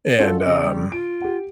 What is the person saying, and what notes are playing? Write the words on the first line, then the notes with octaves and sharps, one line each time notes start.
And um,
C#4 F4 F#4 A4
C#3 D#5
G3
F4 D7
G4 F#5